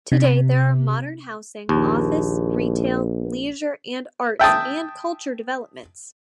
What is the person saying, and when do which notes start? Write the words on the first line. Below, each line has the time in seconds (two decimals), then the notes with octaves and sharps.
Today there are modern housing, office, retail, leisure and arts and culture developments.
0.12 C3
1.69 A#1 D#2
4.39 E5 G5 A5 D#6